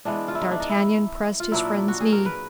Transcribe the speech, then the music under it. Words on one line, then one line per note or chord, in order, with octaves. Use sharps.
D'Artagnan pressed his friend's knee.
E3 G#3 B3 D4
F4
E4
D#4
D4
D#4
E4
F4
A#2 F#3 A#3 D4 E4
F#4
G#4
A#4
B4